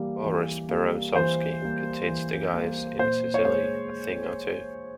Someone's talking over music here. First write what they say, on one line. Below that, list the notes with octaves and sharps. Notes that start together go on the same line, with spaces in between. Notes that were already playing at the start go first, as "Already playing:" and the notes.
Boris Berezovsky could teach the guys in Sicily a thing or two.
Already playing: E3 G3 A#3
E3
G3 A#3
E3 C5
G3 A#3
E3
G3 A#3
A#2 C5
C#5
G#3 C5